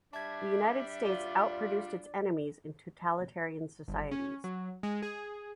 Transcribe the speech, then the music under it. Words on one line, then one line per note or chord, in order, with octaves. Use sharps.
The United States out-produced its enemies in totalitarian societies.
G3 D4 E5 A5 G#6
F4 D5
G1
C#4
F#3
G#3
G#4